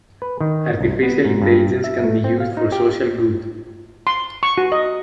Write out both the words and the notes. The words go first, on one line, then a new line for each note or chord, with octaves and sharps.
Artificial Intelligence can be used for social good.
B4
D#3
C2
B3
G#2
G2
E5
A3
C4
F5
D#4
G4
C6
C#6
F#4
D#5